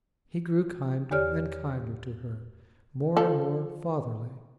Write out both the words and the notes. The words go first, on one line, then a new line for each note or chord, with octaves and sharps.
He grew kinder and kinder to her, more and more fatherly.
E2 G4 C#5 D5 F6
F3 A4